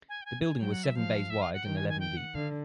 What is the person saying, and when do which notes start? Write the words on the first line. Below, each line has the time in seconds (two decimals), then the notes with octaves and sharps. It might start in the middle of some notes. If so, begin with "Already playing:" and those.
The building was seven bays wide and eleven deep.
0.09 G#5
0.22 G5
0.25 G#5
0.43 G#5
0.61 F#3 G5
0.72 F#5
0.84 E5
0.95 F3 F5
1.30 E5
1.42 F5
1.53 F#5
1.65 D#3 G5
1.77 G#5
1.89 G#5
2.00 G5
2.17 F#5
2.35 D3 F5